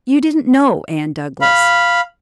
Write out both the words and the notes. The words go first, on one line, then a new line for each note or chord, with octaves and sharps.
You didn't know Anne Douglas?
F5 B5